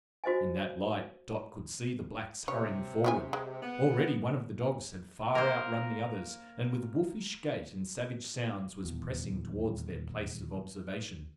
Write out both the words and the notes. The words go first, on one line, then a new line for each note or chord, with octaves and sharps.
In that light Dot could see the Blacks hurrying forward. Already one of the dogs had far outrun the others, and with wolfish gait and savage sounds, was pressing towards their place of observation.
F#4 C5 D#5 G#5
C3 C#5
C#3 C#4 G#5
G#3
B3
A#3 A#4 C5
D#1 E2